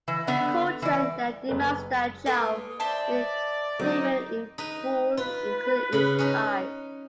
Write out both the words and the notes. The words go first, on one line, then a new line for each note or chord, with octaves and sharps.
Ko Chun then demands that Chau make payment in full, including his eyes.
E3
D3 B3
E3 D5
F#1 B4
A#3 F4 A4 B4 D#6
C5 D5 E5 A5
F#3 C4 D#4 C5 D6
D#4 B4
F4 B4
C#3 B5
C#4 D#4